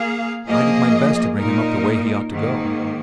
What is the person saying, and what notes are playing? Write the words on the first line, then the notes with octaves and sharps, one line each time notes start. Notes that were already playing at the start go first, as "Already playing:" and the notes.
I did my best to bring him up the way he ought to go.
Already playing: A#3 G#4 F5
F3 A#3 G#4 D#5
A#2 A#3 D#4 A#4
G#2 D#3 A#3